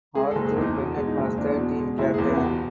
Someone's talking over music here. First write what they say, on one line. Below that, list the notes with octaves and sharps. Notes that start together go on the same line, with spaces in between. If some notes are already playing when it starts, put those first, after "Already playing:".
Arthur Bennett was the team captain.
G#3 G#4
A4
F#1
G#4
E2
D#4
B2
G#3
D#4
F#1
E2 D4
B2
G#3
F#1 E4
G#4
E2
B4
B2 F#4
G4